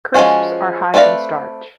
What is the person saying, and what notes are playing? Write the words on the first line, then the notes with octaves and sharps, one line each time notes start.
Crisps are high in starch.
F3 G#3 A#3 C#4 F#4
A3 C4 B4 D5 F5